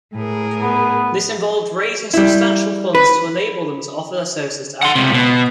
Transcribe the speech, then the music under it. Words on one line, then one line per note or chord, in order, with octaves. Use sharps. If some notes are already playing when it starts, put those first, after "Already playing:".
This involved raising substantial funds to enable them to offer their services to Africa.
A2 G#4 A#4
B3
G3 E4
B4
F#5 C6
C#2 C3
B2